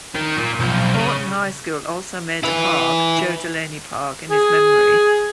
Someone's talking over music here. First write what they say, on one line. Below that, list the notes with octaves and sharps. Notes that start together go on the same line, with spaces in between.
Haughton High School also made a park, Joe Delaney Park, in his memory.
D#3
A#2
B1 F3
C#3
E4 B4
G#4